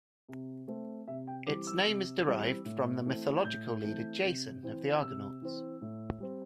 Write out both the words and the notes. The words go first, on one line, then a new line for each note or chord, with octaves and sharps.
Its name is derived from the Mythological leader Jason of the Argonauts.
C3
A3 C4
C3 E5
G5
E3 G3 C4 D6
E6
C3
E3 G3 C4
A2
E3 A3 C4
A2 G6
E3 A3 C4
C3
E3 C4
C3 E6
E3 C4
A2
G3 C4